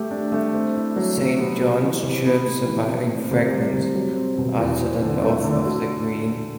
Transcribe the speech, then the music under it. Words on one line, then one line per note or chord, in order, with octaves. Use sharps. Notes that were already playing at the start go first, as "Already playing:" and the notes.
Saint John's Church surviving fragments are to the north of the Green.
Already playing: A3 G4
D4
A3
C4
E4
F#3
C3
B3
F#4
E3
C3
B3
A2
E3
A2
C4
C3
G3
C3
F#3
C4
B2
E2
C4
D3
A3
D3
F#4